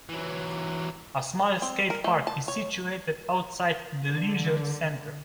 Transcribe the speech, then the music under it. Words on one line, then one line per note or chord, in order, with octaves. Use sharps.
A small skatepark is situated outside the leisure centre.
E3 F#3
C4
A#4
A3
A5
C#5
D3